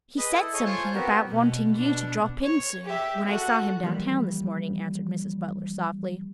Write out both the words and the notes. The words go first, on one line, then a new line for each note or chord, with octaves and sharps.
"He said something about wanting you to drop in soon, when I saw him downtown this morning," answered Mrs. Butler softly.
G#4 B4 D#5
E4 A4
G#4 A4 C#5 D#5
F4 C5 C#5 G#5 A5
B3 C4 F#4 G4 A#4
B2
B2 D4
C#5
G4 E5
F#4 A4
E3 F3 G3 A#3